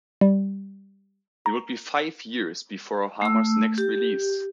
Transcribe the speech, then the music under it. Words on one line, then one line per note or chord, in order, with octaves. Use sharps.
It would be five years before Harmer's next release.
G3
A#5
A3 E6
G4